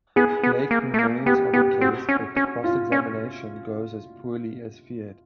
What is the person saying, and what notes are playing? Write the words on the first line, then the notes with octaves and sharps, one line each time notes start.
Blake remains on the case, but the cross-examination goes as poorly as feared.
B3 G#4
B3
A#3
A3
A#3
B3 G4
B3 G4
C4 F#4
C#4
C#4
F4
C#4